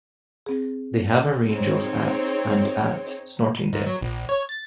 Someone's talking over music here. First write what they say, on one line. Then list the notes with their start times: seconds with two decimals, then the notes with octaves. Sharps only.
They have a range of at and at snorting depth.
0.46 C4 G#4
1.47 C4 D#4 G#4 C#5
3.73 G#2
3.86 F#3
4.01 A#1
4.29 C#5
4.49 A6